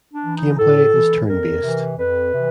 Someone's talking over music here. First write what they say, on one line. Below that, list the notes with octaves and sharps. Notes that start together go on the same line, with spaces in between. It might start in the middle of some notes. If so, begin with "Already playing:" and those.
Gameplay is turn-based.
D4
E3
D#4
A2 A4
E3
F2 A#4
C3 E3
F2 B4
C3 E3